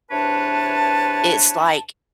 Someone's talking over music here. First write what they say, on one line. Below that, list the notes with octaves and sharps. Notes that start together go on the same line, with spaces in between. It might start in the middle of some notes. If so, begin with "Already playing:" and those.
It's like
E2 C3 D4 B4 C#5 A5